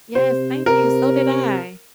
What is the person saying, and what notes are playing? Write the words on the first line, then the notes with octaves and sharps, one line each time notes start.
Yes, thank you, so did I.
C3 C5
C3 A#4